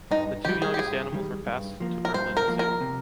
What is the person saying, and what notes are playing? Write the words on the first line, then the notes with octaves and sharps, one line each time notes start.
The two youngest animals were passed to Berlin Zoo.
G2 D#4
D#3 G3 G4
G#4
G4
G2 G#4
D#3 G3
G2
F3 A#3
A#4
G2 C5
A#4
F3 A#3
A#4
C3